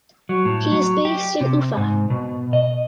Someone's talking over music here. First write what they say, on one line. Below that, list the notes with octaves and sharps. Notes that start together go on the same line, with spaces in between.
He is based in Ufa.
F#3
A2
F#3
G4
C3
G#2
B2
D#5